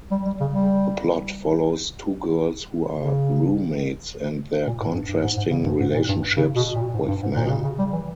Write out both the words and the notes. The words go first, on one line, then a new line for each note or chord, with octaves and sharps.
The plot follows two girls who are roommates and their contrasting relationships with men.
G3
G3
C#3
G3
C#3
A#2
G#2
G2
G2
G#2
G#2
C#3
G2
G#2
A#2
G2
C#3
B2
A#2
G#2
G2
G#2
A#2
B2
C#3
C#3
G3
E3